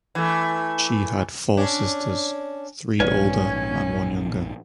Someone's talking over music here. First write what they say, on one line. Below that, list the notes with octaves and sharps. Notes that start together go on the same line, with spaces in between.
She had four sisters; three older and one younger.
E3 A3
C#4 D4
A#1 G#2 C#4 B4 D5 G#5